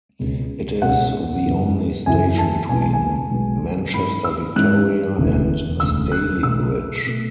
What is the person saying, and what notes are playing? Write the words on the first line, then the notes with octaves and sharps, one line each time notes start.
It is the only station between Manchester Victoria and Stalybridge.
C#2 B2 G#3 C#4
C#2 B2 G#3 C#4 F#5
F#2 C#3 E3 B3
F#2 C#3 E3 B3 G#5
A5
B1 B2 G#3 B3 G#5
A5
G#5
B1 B2 G#3 B3
G#2 E3 G#3 C#4 B5
E6
G#2 E3 G#3 C#4 F#6
E1 D2 C#3 E3
E1 D2 C#3 E3 E6
F#6
B1 B2 A3 E6
B2 A3